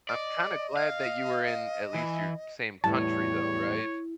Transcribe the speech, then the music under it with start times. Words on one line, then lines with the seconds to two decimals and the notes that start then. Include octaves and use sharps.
I'm kinda glad that you were in, at least your same country, though, right?
0.09 D5 D#5
0.77 F5
1.95 E3
2.84 E2 A2 G3 E4 C#5 A5